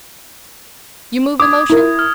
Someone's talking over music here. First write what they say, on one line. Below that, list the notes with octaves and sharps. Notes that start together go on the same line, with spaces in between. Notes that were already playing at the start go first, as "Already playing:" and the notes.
You move a motion?
D6 D#6 G#6
E4 A#4
F6